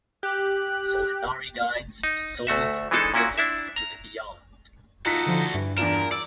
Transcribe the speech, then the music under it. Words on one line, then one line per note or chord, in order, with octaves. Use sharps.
Solinari guides the souls of good wizards to the Beyond.
G4 F#6
D#4
D2 A3 F#4 E5
E3 G#3 D4 D#4 A4 A5
A#2 C#4 E4 F#4
D4 E4 E5
A#5
D#4 F4 F#4 A4 F#6 B6
D3 F3
G2 E3
E2 A#2 D4 A#4 E7
D5 E6